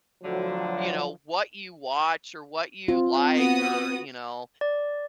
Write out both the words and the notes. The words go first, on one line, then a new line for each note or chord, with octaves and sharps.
you know, what you watch, or what you like, or you know
A2 D3 F3 F#3
C4 F4
B3 F#4 D#6
D5